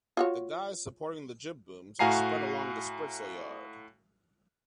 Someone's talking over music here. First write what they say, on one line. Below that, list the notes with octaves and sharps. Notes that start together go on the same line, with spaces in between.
The guys supporting the jib-booms are spread along the spritsail yard.
F4 F#4 C#5
A2 F#4 F5 G#5 A#5 C7